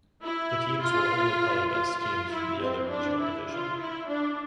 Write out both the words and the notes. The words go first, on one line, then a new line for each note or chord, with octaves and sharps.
The teams will only play against teams from the other regional division.
E4
F4
F4
F4
E4
C4
D4
E4
F4
E4
D4